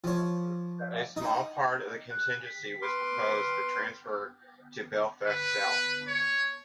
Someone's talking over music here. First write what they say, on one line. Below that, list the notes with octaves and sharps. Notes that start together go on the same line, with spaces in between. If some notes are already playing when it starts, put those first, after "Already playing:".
A small part of the constituency was proposed for transfer to Belfast South.
F3 C#5
D#4 D#6
F#6
B6
B4 C6 D6 F6
B4
C#5